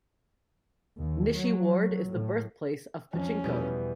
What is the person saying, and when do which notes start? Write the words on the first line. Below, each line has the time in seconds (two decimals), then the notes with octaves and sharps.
Nishi-Ward is the birthplace of pachinko.
0.98 D#2
1.33 F#3
2.06 A2
3.13 F2 C#4
3.44 E2 B2 G3 B3 E4